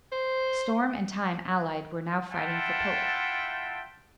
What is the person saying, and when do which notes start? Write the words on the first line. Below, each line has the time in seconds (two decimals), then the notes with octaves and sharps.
The storm and time allied were now fighting for Pope.
0.12 C5
2.31 E4 F4 E5 F#5 G5 A5